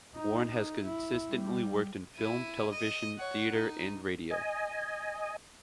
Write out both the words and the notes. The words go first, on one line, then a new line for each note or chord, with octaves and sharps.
Warren has consistently worked in film, television, theatre and radio.
D#4
D#4
E4
G3
E4 D#7
D#5
C#5 F#5
D#4
D#5 G#5